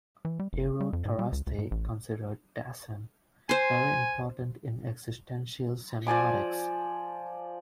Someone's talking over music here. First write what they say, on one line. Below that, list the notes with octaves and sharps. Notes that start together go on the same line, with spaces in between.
Eero Tarasti considered "Dasein" very important in "Existential Semiotics".
E3
G3
F#1
G3
F2
G#2
G3
C#2
C#2
G#2
A1
C5 G#5 C6
F3 D5 G#5 D6